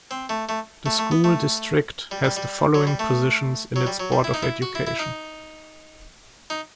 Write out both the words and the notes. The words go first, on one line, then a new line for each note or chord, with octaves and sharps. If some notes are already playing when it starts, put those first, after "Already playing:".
The school district has the following positions in its Board of Education.
C4
A3
A3
A3
A3
B3
A3
G3
G3
G3
F#3
G3
A3
F#3
G3
F#3
G3
E4
D#4
E4
F#4
E4
E4
D#4
D#4